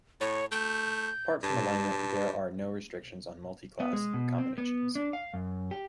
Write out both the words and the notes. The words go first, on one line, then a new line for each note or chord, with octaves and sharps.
Apart from alignment, there are no restrictions on multi-class combinations.
A2 C#5
A3 G6
G2 A5
B3
G#3
B2
C4
B3
D4
F5
F#2
G4